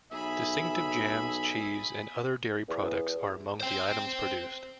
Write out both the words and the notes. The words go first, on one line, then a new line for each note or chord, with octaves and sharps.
Distinctive jams, cheese and other dairy products are among the items produced.
B1 G#4 E5 B5
E2
C5 G5